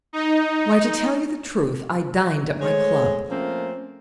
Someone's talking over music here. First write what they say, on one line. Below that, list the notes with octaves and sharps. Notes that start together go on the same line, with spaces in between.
'Why, to tell you the truth, I dined at my club.
D#4
G#3 A3 C5 C#5
F3 A3 A#3 C4 C#4